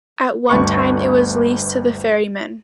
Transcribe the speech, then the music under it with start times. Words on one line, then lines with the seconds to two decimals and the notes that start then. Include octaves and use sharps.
At one time it was leased to the ferrymen.
0.49 G1 D2 B4 C#6